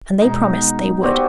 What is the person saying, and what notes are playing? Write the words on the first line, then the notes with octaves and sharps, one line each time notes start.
And they promised they would.
B2 G#3 D#4
B3 C4 F#4 G4 C5 D5